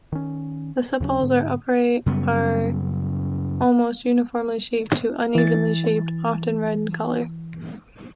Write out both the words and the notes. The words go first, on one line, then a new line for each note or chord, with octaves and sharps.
The sepals are upright, are almost uniformly shaped to unevenly shaped, often red in color.
D#3 C#4
D#2 C#3 F#3 C#4
G#2 D3
F#2 C#3 G3 B3
E3 A6